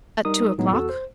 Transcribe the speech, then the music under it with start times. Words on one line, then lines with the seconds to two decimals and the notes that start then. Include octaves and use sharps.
"At two o'clock."
0.25 G3 D#4 A#4 D#6
0.58 A2 F#3 G#3 B3 D#4
0.71 E2 F#4 A4 E6
0.89 C5